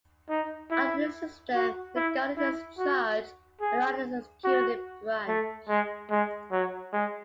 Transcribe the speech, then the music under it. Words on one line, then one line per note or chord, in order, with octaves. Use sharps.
Under this system, the governor is in charge of the island's executive branch.
D#4
E4
F#4
E4
E4
F#4
G#4
F#4
A3
G#3
G#3
F#3
G#3